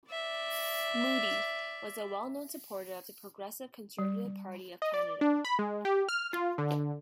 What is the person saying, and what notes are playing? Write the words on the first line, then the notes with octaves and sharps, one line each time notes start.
Moodie was a well known supporter of the Progressive Conservative Party of Canada.
D5 E5
G3
D#5
D5
D4
B5
G#3
G4
F6
F4
D3